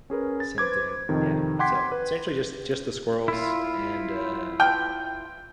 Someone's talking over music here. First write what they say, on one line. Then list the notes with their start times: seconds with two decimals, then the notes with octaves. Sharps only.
same thing. Yeah, so essentially just just the squirrels, and, uh
0.10 C#4 G#4 A#4 B4
0.40 A6
0.58 B4 C5 D6 G#6
1.09 F2 C3 D#3
1.59 F#5 G5 C6 D6 G#6 B6
1.92 B4
3.28 E4 F4
4.60 G5